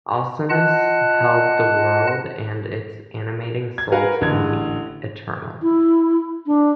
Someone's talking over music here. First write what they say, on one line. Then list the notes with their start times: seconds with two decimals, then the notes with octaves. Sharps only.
Alcinous held the world and its animating soul to be eternal.
0.50 F4 D#5 F#5 A5 F#6
3.78 G#6
3.92 F#4 A#4 B4 F5 F#5 G#5
4.21 A1 D3 G#6
5.62 E4
6.46 D4